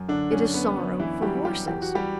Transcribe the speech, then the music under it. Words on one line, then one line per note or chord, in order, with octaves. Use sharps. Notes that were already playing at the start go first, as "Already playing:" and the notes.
It is sorrow for horses.
Already playing: F#2
D3 D4
F#2 C#4
B3
D3
E3 E4
F#3 G3 G4
G3 G4
E2 G4
F#4
G3 G4